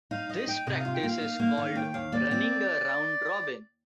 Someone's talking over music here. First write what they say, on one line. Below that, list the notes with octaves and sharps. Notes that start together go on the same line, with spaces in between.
This practice is called "running a round-robin".
D#4 F5
D#4 D#5
D#4 G5
C3 D#5
F5
F4
G5
A#3 F5
D#4
A#3
D#3
D#2 G5
D#2 F5
A#3 D5
C4